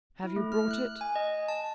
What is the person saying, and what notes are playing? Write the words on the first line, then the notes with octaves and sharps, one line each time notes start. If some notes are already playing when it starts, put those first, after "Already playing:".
"Have you brought it?"
E4
A3
F6
F#6
G#5
D#5
A5